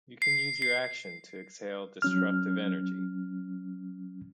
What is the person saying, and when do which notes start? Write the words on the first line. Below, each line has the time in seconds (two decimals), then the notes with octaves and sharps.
You can use your action to exhale destructive energy.
0.22 C7
0.62 C7
2.02 F#3 C#4 F6